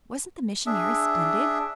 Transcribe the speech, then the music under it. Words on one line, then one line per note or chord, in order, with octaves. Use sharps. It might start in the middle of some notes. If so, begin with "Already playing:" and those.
Wasn't the missionary splendid?
D4 G#4 E5